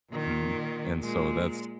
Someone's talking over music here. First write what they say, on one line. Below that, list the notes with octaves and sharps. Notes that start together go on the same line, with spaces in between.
Mhm, and so that's
A#2 D#3
A#2 G#3